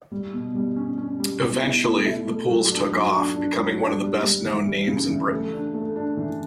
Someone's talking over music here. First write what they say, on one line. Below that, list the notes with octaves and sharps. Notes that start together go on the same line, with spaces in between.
Eventually the pools took off, becoming one of the best-known names in Britain.
G3
B2
G3
C#4
C#4
G3
B2
E4
A3
E4
A3
F#3
D4
F#3
D4
D4
F#3
D4
G3
G3
E3
G3
C#3
E3
A3
D4
A3
D4
E3